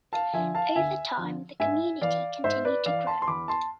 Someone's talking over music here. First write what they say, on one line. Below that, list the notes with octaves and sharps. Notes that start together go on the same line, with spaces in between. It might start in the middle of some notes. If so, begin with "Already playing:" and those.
Over time, the community continued to grow.
F5 A5
D3 F3 E5 G#5
F5 A5
D2 E5 G#5
D3 F3
G#2 E5 G#5
E3 D5 F5
G#2 C5 E5
B4 D5
E3 D5 F5
A5 C6
C6
E2 B5 D6
A5 C6